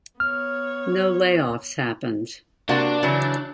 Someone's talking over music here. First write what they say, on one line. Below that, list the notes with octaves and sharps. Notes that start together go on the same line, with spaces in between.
No layoffs happened.
B3 C#5 F6
C3 A#3 D4 F#4
C#3 E3 F#3